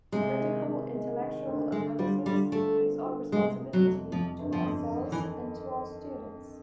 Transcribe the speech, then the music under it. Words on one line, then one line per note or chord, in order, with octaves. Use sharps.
Critical intellectual analysis is our responsibility-to ourselves and to our students.
C3 G#3
D#3
G#3
G#3
D#3
D2
D3 G#3
G3 F4
D3 G3
G3 A3
C4
F4
C3 G#3
C3
F#3
F2
F2 F3
G1
F3
F2
D#3
E3